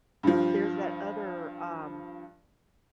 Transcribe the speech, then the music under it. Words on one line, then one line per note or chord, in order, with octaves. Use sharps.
there's that other, um
G2 F3